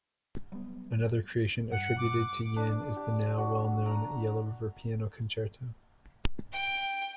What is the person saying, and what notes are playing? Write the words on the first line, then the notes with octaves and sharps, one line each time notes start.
Another creation attributed to Yin is the now well-known Yellow River Piano Concerto.
F#3 G3 B3
G2 F#5
D6
D4
G4
F#4
A#5
G5